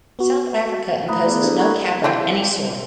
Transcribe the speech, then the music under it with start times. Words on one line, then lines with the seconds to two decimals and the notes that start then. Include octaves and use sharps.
South Africa imposes no cap of any sort.
0.19 B3 F#4
1.08 A3 E4 A#5 B5 D#6 F#6
1.26 B3 G#4 D5
1.43 D4 E4 G4 A4 D5
1.57 F#5 A#5 B5 C#6 F#6 G#6
2.04 E3 C4 F4